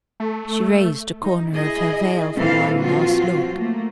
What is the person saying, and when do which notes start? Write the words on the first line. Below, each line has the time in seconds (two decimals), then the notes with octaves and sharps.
She raised a corner of her veil for one last look.
0.20 A3
1.22 D#4
1.52 E4 G#4 D#5
2.37 A#2 E3 C4 A4 F5
2.78 F3 F#3 C4 F4 F#4
3.58 A3 A#3